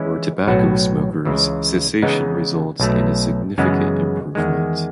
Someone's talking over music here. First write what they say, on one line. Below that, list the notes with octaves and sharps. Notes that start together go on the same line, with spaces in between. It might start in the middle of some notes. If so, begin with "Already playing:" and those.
For tobacco smokers, cessation results in a significant improvement.
Already playing: E3 G#3 C#4 E4
B1 A2 F#3 B3 F#4
C#2 C#3 E3
C#3 E3 G#3 B3 D#4
B1 B2 A3
F#2 C#3 E3 G#3 B3
E2 D#3 G#3